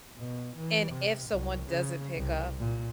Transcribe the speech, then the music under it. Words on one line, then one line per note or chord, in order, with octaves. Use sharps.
And if someone doesn't pick up,
B2
E3
C3
C2
C#3
C2
A#2